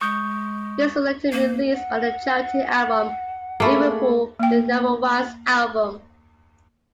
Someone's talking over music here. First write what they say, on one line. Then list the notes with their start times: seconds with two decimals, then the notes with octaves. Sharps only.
This was later released on the charity album "Liverpool - The Number Ones Album".
0.01 G#3 C#6 D#6 G6
1.32 A#3
1.74 F#5
3.60 A3 A#3 G#4 A4 B5
4.39 A#3 G5